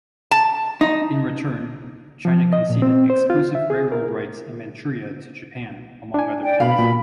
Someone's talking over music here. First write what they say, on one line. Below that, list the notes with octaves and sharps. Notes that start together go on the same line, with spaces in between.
In return, China conceded exclusive railroad rights in Manchuria to Japan, among other things.
A5
D#4
F3
D#5
A#2
C4
C5
F4
E5
G#4
A#4
D4 G#5
D5 G5
B2 F5 B5
A#2